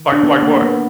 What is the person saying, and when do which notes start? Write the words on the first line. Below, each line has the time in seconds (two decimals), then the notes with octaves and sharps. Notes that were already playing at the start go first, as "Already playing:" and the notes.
like like what?
Already playing: D#3
0.12 D4
0.23 B3
0.42 A#3
0.56 A#3
0.62 B3